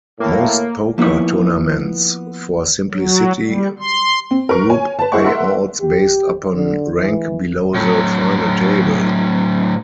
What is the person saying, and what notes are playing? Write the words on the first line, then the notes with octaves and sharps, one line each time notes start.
Most poker tournaments, for simplicity, group payouts based upon rank below the final table.
A2 A#3
F3 A#3 B3 D#4 E4 C#5
F#3
G3
C6
C4
A#4 B4 C#6
C#5 G#5
B4 A5
E4 G#4 C5 D#5 F#5 C#6
A#4 E5 F#5 C6
G4
D3
E3
A2 F#3